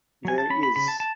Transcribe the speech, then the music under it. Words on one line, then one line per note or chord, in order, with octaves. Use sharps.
There is.
F#3 G#5
A5
C#4 B5
B5
C#3 B5
A5
A5